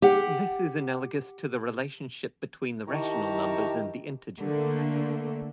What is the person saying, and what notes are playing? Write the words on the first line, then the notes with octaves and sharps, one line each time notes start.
This is analogous to the relationship between the rational numbers and the integers.
G4 F#5
D#3 E4 G4 A5 A#5 C#6
D3 A3 A#3